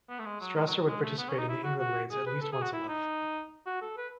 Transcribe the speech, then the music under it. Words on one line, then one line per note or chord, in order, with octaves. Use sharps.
Strasser would participate in the England raids at least once a month.
B3
A3
G#3
F#3
G#3
F#3
G#3
A3
B3
C#4
D#4
E4
F#4
F#4
G#4
B4
A4
G#4
F#4
E4
D#4
F#4
A4
B4